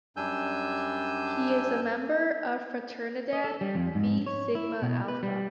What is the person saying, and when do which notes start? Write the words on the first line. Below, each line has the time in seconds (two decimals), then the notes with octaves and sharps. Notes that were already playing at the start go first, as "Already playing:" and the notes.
He is a member of Fraternidad Fi Sigma Alfa.
0.17 F#2 G3 D4 G#5 E6 G6
3.33 D#5
3.44 A4
3.61 G3
3.75 F2
3.95 G#2
4.27 C#5
4.55 E4
4.82 B2
5.08 B4
5.23 G3